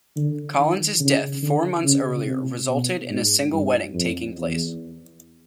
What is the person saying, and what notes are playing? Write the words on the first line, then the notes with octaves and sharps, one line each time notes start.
Collins' death four months earlier resulted in a single wedding taking place.
D3
D#3
C#3
D3
C#3
C3
B2
G#2
G2
F2
E2